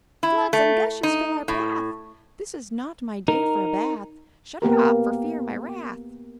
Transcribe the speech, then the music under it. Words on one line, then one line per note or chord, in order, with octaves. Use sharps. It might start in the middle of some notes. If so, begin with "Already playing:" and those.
"Floods and gushes fill our path-- This is not my day for a bath! Shut it off, or fear my wrath."
E4
A3
D#4
A2
D#4 A#4
A#3 B3 G4 A#4